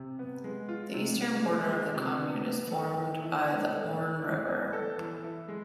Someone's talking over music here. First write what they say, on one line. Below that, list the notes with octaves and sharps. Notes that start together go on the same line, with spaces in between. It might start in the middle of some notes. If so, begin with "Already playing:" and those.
The eastern border of the commune is formed by the Orne river.
Already playing: C3
B3
G#3
F4
C3
B3
G#3
F4
C3
B3
B3
A4
E3
E4
B3
A4
E3
E4
B3
A4
E3
E4
G#3